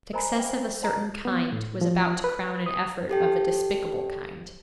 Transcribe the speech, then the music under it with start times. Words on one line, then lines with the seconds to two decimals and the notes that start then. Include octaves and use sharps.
Success of a certain kind was about to crown an effort of a despicable kind.
0.13 A#4 C5 D#5 G#5 A#5 B5
0.35 B4 E5 G5
0.50 C5
0.82 C#5 F#5 A5 A#5
1.25 B3
1.52 A2
1.81 F3
2.24 B4
2.66 D#6
3.09 G4 A4 G5